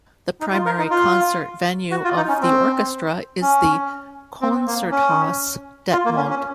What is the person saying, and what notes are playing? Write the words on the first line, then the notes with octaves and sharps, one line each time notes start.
The primary concert venue of the orchestra is the Konzerthaus Detmold.
D#4
F4
A#4
D#4
F4
F#4
F4
D#4
C#4
C4
C#4
C4
A#3
C#4
F4
A#3
C#4
C#4